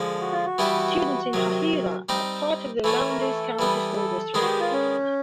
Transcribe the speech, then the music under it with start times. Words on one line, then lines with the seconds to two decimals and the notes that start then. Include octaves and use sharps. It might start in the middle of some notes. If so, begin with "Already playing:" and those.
Students in Hahira are part of the Lowndes County School District.
Already playing: D3 F3 G#3
0.21 F#4
0.33 F4
0.45 F#4
0.58 E3 G3 B3 E4 G4
1.33 C3 D#3 F#3
2.09 G3 C4 D#4 G4
2.84 E3 A3 C#4 A4
3.09 A#4
3.21 A4
3.59 E3 G3 B3
3.96 A4
4.34 D#3 G#3 B3 D4 G#4
4.41 F#4
4.46 G4
4.60 F4
4.72 C#4